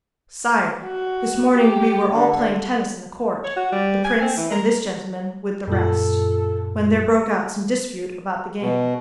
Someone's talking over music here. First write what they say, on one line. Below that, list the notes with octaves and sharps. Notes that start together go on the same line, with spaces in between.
'Sire, this morning we were all playing tennis in the court, the prince and this gentleman with the rest, when there broke out some dispute about the game.
F#4
G4
D3
C#5
F#4
G3
G#5
C4
E3
A#4
F#2 A#2 F4 A4
B2